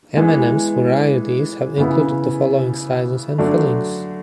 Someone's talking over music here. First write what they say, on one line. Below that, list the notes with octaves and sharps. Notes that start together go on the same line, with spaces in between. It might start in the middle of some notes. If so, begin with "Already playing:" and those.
M and M's varieties have included the following sizes and fillings.
E3 G#3 B3
C#3 E3 B3 E4
D3 F#3 A3 D4